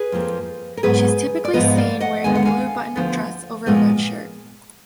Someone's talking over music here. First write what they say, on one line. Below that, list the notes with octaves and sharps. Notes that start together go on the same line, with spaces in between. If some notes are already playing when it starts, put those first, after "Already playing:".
She is typically seen wearing a blue button-up dress over a red shirt.
Already playing: G#4 B4
F2 F3 A#3
A#4
G#2 F#3 B3 G#4 B4
D5
G#2 F3 B3 B4 D#5
D5 F5
D#5 F#5
D#2 D3 G#3 B3 G#5
F#5
F5 G#5
D2 D3 F3 B3
A#2 F3 G#3 B3